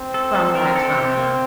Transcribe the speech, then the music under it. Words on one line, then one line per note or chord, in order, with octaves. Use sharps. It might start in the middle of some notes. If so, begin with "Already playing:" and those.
From that time,
Already playing: C4
A4
A4
A#4
A4
G4
A#3